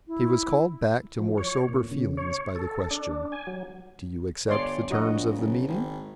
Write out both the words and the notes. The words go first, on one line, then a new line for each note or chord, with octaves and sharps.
He was called back to more sober feelings by the question--"Do you accept the terms of the meeting?"
E4
F3
C#5
A#2
C#3
C#5
A4
D4
G#5
F#3
G1 C#5 D5 C6
A#1 F#4 D#5
F#1
G#1